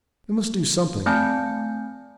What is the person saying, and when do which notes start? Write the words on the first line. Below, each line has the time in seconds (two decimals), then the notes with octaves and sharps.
We must do something.
1.06 A3 C4 G#5 A5 G6